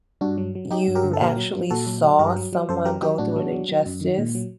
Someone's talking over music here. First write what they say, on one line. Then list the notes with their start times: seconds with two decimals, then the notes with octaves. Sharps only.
you actually saw someone go through an injustice?
0.21 G2 D4 F#4
0.38 F#3
0.55 F#3
0.71 F#3 D#4 G4
0.88 G2
0.95 G4 A#4
1.04 D3
1.13 A4
1.21 A#2 G4 A#4
1.37 F#3
1.53 F#3
1.71 A#2 F#4 A4
1.87 F#3
2.04 F#3
2.19 G2 G4 A#4
2.36 F#3
2.53 F#3
2.69 F#2 A4 C5
2.85 F#3 G4 A#4
3.02 F#3 D#4 G4
3.18 A2 D4 F#4
3.36 F#3
3.52 F#3
3.69 F#3
3.85 F#2
4.01 D#3
4.18 A#2
4.35 F#3